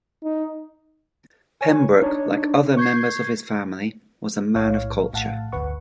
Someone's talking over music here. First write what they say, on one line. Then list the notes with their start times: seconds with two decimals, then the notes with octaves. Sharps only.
Pembroke, like other members of his family, was a man of culture.
0.23 D#4
1.61 C#5 G#5
2.02 D4 D#4 C#5
2.77 C#6 G6 G#6 C7
4.56 B1 A2 E4 C#5 F5
5.13 A#1 A2 F5 F#5 A5
5.52 G1 D2 B4 F#5 C#6